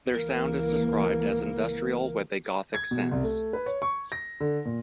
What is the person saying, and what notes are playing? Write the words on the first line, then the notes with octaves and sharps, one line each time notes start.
Their sound is described as "Industrial with a Gothic Sense".
C#2 E3 A#3 A#4
G#6
B2
C2
A3
B4
C#5
C#6
A#6
D3
A#2